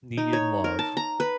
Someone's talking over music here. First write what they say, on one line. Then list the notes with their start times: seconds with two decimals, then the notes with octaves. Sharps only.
need, and love,
0.17 D#4
0.33 C#5
0.64 A#4
0.79 A5
0.97 A#5
1.20 B4